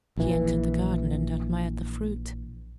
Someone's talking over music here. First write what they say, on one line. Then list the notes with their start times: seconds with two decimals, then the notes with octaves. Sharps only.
She entered the garden and admired the fruit.
0.17 A#1 E3